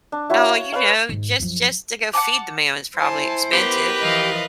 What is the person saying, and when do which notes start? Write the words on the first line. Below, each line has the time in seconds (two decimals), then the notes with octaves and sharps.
oh, you know, just just to go feed the man is probably expensive.
0.12 D4
0.30 E4 F#4 C#5 E5
0.42 F5 A5
0.72 B4 C#5 F5 A5
1.09 G#2 G#3
1.40 F#2 F3
2.13 F#5 G#5 A5 D6
2.98 E4 C5 G#5 A5
3.53 B3 G4 A#4 B4
4.01 E3 F3 D#5 F5